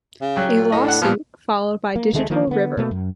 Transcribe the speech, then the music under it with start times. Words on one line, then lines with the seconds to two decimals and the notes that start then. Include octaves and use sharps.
A lawsuit followed by Digital River.
0.22 C#3
0.36 F#3 G4
0.54 A#2
0.72 A2 D#5
0.85 D4 F#5
1.02 A#2 F3 B3
1.96 A#3
2.13 D2 D#3 G#3 A3
2.30 D#3 F3 A#3
2.47 D3 B3
2.77 B2 A3 A#3
2.91 F#2